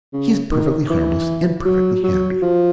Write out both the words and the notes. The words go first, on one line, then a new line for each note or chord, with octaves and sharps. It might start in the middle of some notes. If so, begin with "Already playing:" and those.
He is perfectly harmless, and perfectly happy.
C#3
D#3
E3
F#3
F#3
F3